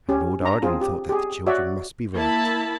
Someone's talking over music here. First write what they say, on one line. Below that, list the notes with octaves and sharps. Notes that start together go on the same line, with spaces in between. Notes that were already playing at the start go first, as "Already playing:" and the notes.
And Lord Arden thought that the children must be right.
C#4 G4
D4 A#5
C4 F4 G#4
G4
G4 G#4
F#4 C#5 D5 E5
A#3 E4 A5 B5